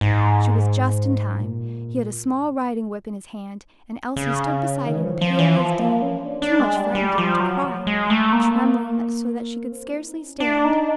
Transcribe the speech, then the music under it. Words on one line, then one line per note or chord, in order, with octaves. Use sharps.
She was just in time; he had a small riding whip in his hand, and Elsie stood beside him pale as death, too much frightened even to cry, and trembling so that she could scarcely stand.
G#2
A#2
C#3
D#3
E3
F3
F3
E3
F3
A#3
C#4
D4
D4
G#3
G3
G3
F3
F#3
G#3
A3
A#3
C4
E4
D#4
C#4
D4
D#4